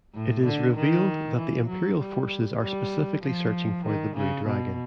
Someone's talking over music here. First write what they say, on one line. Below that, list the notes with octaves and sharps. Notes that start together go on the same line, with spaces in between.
It is revealed that the Imperial forces are specifically searching for the blue dragon.
A2
D3
D#3
E3
F#3
G3
G3
F3
D#3
C#3
B2